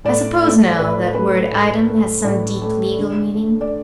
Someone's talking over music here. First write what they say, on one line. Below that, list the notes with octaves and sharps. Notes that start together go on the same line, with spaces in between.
"I suppose, now, that word 'item' has some deep legal meaning?"
A2 D5
A3
A2 B4
A3 B4
A2
A3
A2 D5
A3
D3
A3
D5